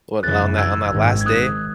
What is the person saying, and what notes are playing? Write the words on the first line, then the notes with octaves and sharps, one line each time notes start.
What on that on that last day,
F#2 C#3 E3 F#6 A6
E6 G#6
G#1 G#2 D#3
G#6
D#6 F#6